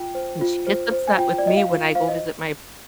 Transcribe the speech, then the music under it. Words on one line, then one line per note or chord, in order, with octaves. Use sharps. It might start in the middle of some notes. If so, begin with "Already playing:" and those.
and she gets upset with me when I go visit my
Already playing: F4 G5
C5
F4
C5
C5
G#5
F4 G5
D5
F4 D#5
F5
F4
C5 F5
D#5